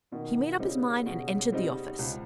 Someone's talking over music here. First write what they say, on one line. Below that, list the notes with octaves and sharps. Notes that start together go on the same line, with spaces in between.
He made up his mind, and entered the office.
B2 D#3
C#3 G3 C4 D#4
B2
G3 C4 D#4
C#2